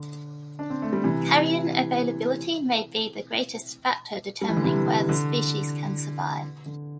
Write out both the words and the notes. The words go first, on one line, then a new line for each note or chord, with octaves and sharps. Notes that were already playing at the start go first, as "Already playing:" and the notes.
Carrion availability may be the greatest factor determining where the species can survive.
Already playing: D3
D4
C4
A3
G3
C3 E3
G3
E3
D3
C3 E3
D3
D3